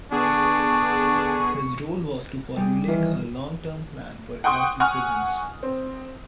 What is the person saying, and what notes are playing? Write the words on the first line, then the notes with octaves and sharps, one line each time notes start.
His role was to formulate a long term plan for Iraqi prisons.
D3 B3 D4 G#4 C#6
G3 G4 G#4
D#3 E3
F#5 G5 C6 C#6 D#6
F#5 G#5 C#6 F6
C4